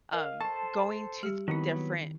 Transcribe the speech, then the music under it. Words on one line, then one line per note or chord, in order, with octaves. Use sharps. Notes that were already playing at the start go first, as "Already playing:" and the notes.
um, going to th different
A#4 D#5 F5
A4 C5 A5 C#6
G3 G4
D#3 F#3 B3 C4 E4 B5